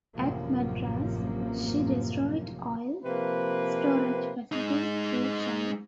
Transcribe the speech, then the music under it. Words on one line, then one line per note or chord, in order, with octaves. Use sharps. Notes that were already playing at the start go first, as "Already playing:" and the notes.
At Madras she destroyed oil storage facilities through shelling.
A1 F#2 C3 F3 A#3
C3 F3 A#3 B4
G#3 D#4